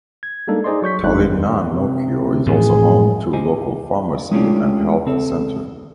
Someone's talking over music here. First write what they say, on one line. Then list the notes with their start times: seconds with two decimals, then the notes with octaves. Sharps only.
Tallinnanaukio is also home to local pharmacy and health center.
0.23 G#6
0.48 G3 G#3 A#3 D4 D#4 A4
0.64 D#4 G#4 C5 D5 D#5 C6
0.82 F#3 C#6 G6 B6
1.03 G#1 F2 G#3 D4 D#4 F#6
1.21 E2 D#3
1.72 C3 C4
2.46 G#1 A2 E3 F3 G#4
3.33 G4 C5 D#5 G#5
4.32 G#3 A3 C#4 D4 F4 G4
5.06 C#2 C4 A4